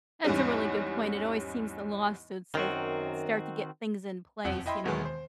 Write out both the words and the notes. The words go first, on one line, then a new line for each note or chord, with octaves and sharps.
That's a really good point, it always seems the lawsuits, they start to get things in place, you know
E2 G#2 G3 C#4
F#2 D#3 C4 F#4
E1 F2 F#5
E4 D#5 G5 B5 C6
D#2 B2 D#3 E3 G#3 B3
C5